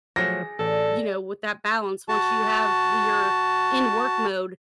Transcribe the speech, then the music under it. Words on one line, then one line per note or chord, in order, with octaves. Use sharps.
you know, with that balance, once you have w you're in work mode,
F3 F#3 A3 D#4 G#4 A#6
A1 A4 D5
F#4 A5